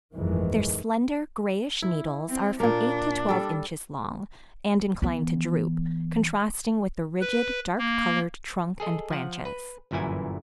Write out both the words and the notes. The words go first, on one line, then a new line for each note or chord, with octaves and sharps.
Their slender, grayish needles are from eight to twelve inches long, and inclined to droop, contrasting with the rigid, dark-colored trunk and branches.
G1 F2 A2 D#3 E3 G#3
E4
C4
A#2 A#3 D4
G3 A4
E3 B3
B4
A#3
G#4 A4 D#5
F3 F#5
B4
G1 F#2 A#2 E3 E4 G#5